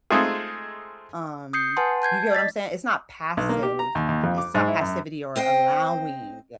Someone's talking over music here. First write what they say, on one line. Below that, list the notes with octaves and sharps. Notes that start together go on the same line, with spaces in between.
um, you get what I'm saying? It's not passive it's not passivity or allowing,
G#3 A3 C4 D#4 F4 G#4
D#6 G6 C7 C#7
B4 F#5 G#5 A5 C6
A5 G6 G#6 C7
D5 D#5 A6 B6
B1
A#3
G4
A#5
D#2
D#2
F2
D6
G#2
E4
F#2
C4 C5 D#5 G5